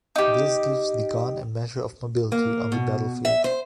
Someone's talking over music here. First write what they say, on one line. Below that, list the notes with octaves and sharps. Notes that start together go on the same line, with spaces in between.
This gives the gun a measure of mobility on the battlefield.
D#4 G4
A#3
B2
E5
C5